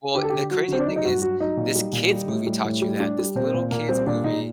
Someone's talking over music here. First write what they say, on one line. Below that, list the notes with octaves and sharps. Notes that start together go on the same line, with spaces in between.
Well, the crazy thing is this kid's movie taught you that. This little kid's movie
D3 G4
A4
D3 G4
F#3 F#4
D3 C4
D4
F#3 D#4
D#4
G2 F#4
F#3 F#4
F#3 D#4
A#2
G3
A#2
G3
A2
G3
A2
G3
G3 D4
G3
A#2 C4
A#2
A#2 A#3
G3 C4
A#2 D4
A#2 D#4